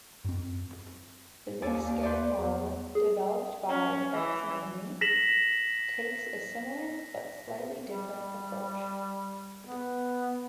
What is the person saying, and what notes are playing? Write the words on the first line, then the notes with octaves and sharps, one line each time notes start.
The mixed scanning model, developed by Etzioni, takes a similar, but slightly different approach.
F#2 C4
D#2 A4 D5 G#5
D#2
B4 C5 D5
E2
G#4
C#4
E3
A#6 B6 E7 F#7
G3
B3